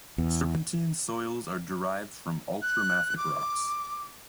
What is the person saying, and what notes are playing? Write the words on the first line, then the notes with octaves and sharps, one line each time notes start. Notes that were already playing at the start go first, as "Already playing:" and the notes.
Serpentine soils are derived from ultramafic rocks.
E2
F#6
D6